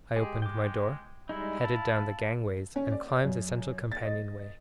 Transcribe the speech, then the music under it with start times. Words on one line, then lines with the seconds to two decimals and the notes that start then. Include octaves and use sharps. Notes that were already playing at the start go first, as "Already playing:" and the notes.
I opened my door, headed down the gangways, and climbed the central companionway.
0.16 G#3 G4 G#4
0.42 G#3 G5 D6
1.29 G3 G#3 D#4 E4
1.64 F5 A5
2.76 C#4
2.92 D5
3.24 F#2
3.92 A6
4.05 D#5